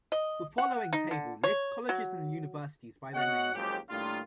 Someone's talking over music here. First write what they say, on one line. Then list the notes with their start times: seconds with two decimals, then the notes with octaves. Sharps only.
The following table lists colleges and universities by their name.
0.12 D#5
0.58 F#5
0.93 D#4
1.11 D3
1.44 C#5
1.89 F#3
3.14 B3 F#4 C#5 D#5 F#5
3.55 F#1 D#2 F3 F#3 G#3 G4
3.90 A2 D#3 G3 A#3 D4 F4